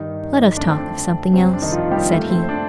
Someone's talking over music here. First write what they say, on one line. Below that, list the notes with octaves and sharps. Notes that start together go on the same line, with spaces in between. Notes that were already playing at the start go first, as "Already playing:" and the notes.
"Let us talk of something else," said he.
Already playing: G2 D#3 G3 D#4
F2 D3 A3 D4
C4
D4
F2 C3 G3 C4
C4
D4
D#3 D#4
F3 F4
G3 G4
A#2 A3 A4
C4 C5
C5
D4 D5